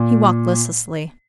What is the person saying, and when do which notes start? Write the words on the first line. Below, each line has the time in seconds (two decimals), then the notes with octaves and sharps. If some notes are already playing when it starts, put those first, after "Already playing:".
He walked listlessly.
Already playing: A#2